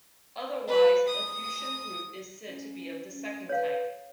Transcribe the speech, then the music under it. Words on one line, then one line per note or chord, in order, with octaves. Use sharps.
Otherwise, a Fuchsian group is said to be of the second type.
B4
D#6
C#4
C#4
B4 C#5 F5